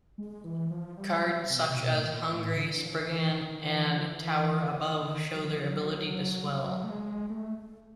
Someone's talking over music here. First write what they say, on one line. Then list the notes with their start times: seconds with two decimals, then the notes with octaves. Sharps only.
Cards such as Hungry Spriggan and Tower Above show their ability to swell.
0.18 G#3
0.44 E3
0.70 F3
0.97 G3
1.18 G3
1.23 F#3
1.50 C3
1.57 B2
1.65 C3
1.76 B2
1.93 A2
2.02 A#2
2.29 A2
2.55 D3
2.85 F3
2.95 E3
3.34 D#3
3.61 E3
3.87 E3
3.96 F3
4.06 E3
4.84 E3
4.93 D#3
5.35 F#3
5.45 F3
5.64 F3
5.72 F#3
6.43 G3
6.51 F#3
6.84 A3
6.90 G#3
7.30 A3